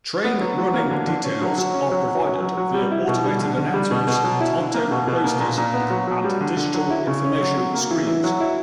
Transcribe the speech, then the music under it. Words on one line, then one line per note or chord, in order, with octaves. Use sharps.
Train running details are provided via automated announcements, timetable posters and digital information screens.
B3
F#3
F#3
A#3
D3
D3
C#4
F#3
F#3
C#4
F#3
F#3
C#4
F#3
F#3
G3
E4
B2
G3
D3
D3
G3
B2
B2
F#3
E4
D3
A#3
B2
B2
A#3
A#2
A#2
B3
F#3
F#3
G3
D3
D3
F#3
E4
C#3
C#4
F#3
F#3
A#3
E3
E3
F#3
E4